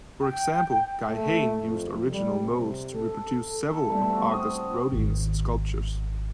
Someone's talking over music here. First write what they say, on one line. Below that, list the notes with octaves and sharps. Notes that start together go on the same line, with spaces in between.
For example, Guy Hain used original molds to reproduce several of Auguste Rodin's sculptures.
G5
A3
F2
G3
C3
A4
E4 A4
G3 A3 B3
C4 F#4
D#6
G#1